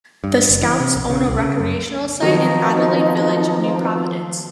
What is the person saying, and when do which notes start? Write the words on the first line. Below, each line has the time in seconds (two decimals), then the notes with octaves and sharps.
The Scouts own a recreational site in Adelaide Village, New Providence.
0.24 G2
0.49 F#1
0.62 E3
0.80 C3
0.95 A#1
1.10 C#3
1.27 C2
1.38 C#3
1.60 F#2
2.22 D#3 F3 F#3 B3 C4 D#4 F4